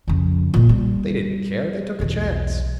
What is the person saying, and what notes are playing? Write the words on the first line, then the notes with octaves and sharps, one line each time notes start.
They didn't care! They took a chance.
F2 C#3
A#2 G#3
G3
B1 E2